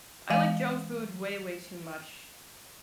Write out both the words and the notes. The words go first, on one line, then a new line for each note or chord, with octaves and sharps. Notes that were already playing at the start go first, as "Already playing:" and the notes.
I like junk food way, way too much.
E3 G#3 F5 G#5